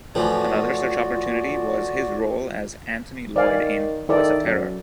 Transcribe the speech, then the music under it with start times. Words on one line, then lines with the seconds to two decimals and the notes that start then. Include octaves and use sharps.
Another such opportunity was his role as Anthony Lloyd in "Voice of Terror".
0.15 A2 E3 F3 F4 F#4 A4 D5 G#5
3.36 D#3 D5 F5 G#5
4.09 D#3 E4 A4 D5
4.45 F#2